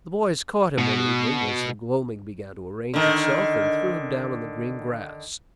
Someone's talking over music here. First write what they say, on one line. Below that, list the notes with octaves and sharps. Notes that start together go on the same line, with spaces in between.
The boys caught him one evening as the gloaming began to arrange itself, and threw him down on the green grass.
B2
D3 D#3